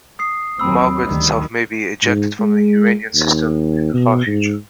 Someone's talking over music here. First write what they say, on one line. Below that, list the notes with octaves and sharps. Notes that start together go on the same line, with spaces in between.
Margaret itself may be ejected from the Uranian system in the far future.
D#6 C7
D#2 F#3 C4 B5 E6
D2 D#3 G3
G#2
G#3
D#2
B2
G#2